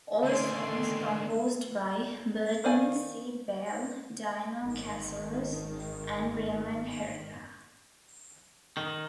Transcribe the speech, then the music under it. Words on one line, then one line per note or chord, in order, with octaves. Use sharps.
All songs composed by Burton C. Bell, Dino Cazares and Raymond Herrera.
D3 D#3 A3 D5 G#5 C6
D#3 C5 D5 F5 G#5
G#1 D#3
D#3